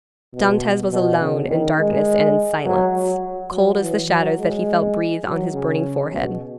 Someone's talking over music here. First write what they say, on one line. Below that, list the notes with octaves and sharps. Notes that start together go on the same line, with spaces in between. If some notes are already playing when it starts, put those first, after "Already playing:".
Dantes was alone in darkness and in silence--cold as the shadows that he felt breathe on his burning forehead.
B2
B2
C#3
D#3
G#3
F#3
F#3
F#3
E3
F#3
G#3
F#3
C#3
B2